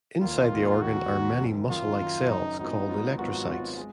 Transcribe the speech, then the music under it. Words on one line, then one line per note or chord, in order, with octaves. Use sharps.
Inside the organ are many muscle-like cells, called electrocytes.
D#2 D#3 A#3 F4
D#2 D#3 A#3
D#2 D#3 A#3 F#4
D#2 D#3 A#3
F#1 F#2 D#3
F#1 F#2 D#3 F4
F#1 F#2 D#3
F#1 F#2 D#3 D#4
G#1 G#2 F#3 B3 D#4 F4
G#1 G#2 F#3 B3 F4
G#1 G#2 F#3 B3 F4 F#4
G#1 G#2 F#3 B3 F4
G#3